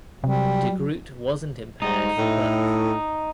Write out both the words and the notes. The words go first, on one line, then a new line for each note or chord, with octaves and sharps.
De Groot wasn’t impaired from birth.
C3 F#3 G3
G#2 G3 D#4
A2